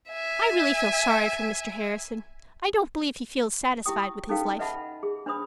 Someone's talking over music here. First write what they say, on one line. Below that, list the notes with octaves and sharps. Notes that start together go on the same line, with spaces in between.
I really feel sorry for Mr. Harrison; I don't believe he feels satisfied with his life.
E5 G#5
E4 G4 G5 D#6
C#4 D#4 A4 B4 F5 G5
B4 D#5 E5 F#5 A5 B5
G#4
D4 B4 C5 B5 D#6